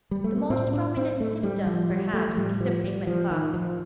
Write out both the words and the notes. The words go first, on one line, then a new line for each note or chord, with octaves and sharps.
The most prominent symptom, perhaps, is the frequent cough.
G3
A3
A#3
A2 C4
D4
C4
A3
G3
F3
G3
A3
F3
A2 G3
F3
G3
F3
D#3
F3